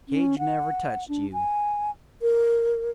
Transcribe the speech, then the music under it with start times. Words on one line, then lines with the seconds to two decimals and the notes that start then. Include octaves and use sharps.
Cage never touched you!
0.09 C#4
0.39 F#5
1.08 D4
1.33 G#5
2.22 A#4